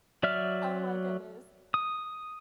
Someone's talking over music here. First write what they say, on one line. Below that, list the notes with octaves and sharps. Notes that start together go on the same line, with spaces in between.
oh my goodness.
F#3 D5 E5 F6
D#6